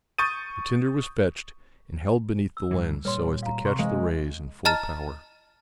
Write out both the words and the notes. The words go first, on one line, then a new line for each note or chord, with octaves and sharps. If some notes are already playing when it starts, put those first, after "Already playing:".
The tinder was fetched, and held beneath the lens so as to catch the rays in full power.
C#6 D#6 G6 A6 D#7
E6
G2 E3
A#2 G3 B4 C#5 C6
F5 A#5
C3 C6 C#6
G#3 F5
D#5 A5 A#5 F6 A6